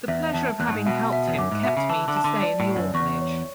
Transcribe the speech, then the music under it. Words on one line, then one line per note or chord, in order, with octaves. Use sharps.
The pleasure of having helped him kept me to stay in the orphanage.
E2 E5
E2 A5
E2 F#6
A2
G#2
B2 E5
E5
E2
F#2 D6
G#2
B2 E5
C#3
E3 A5
D3
A5
D3
D5
A2
D5
F#2
E2 C#6
C#5